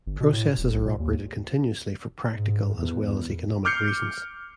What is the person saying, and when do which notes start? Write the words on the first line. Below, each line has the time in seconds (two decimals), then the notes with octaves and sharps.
Processes are operated continuously for practical as well as economic reasons.
0.07 G1
0.20 B2
0.32 A2
0.58 D#1
0.71 B1
0.85 A#2
1.00 D#2
2.31 G#2
2.75 E2
3.65 D6 F6 G6 C7 C#7